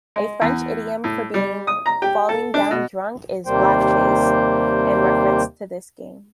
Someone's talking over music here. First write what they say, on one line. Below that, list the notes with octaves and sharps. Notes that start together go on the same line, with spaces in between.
A French idiom for being falling-down-drunk is "black faced" in reference to this game.
G#3
E2
A2
G3
D#6
A#5
G4
A4
D4
B2
D#2 C3 G3 A#3 C5 G5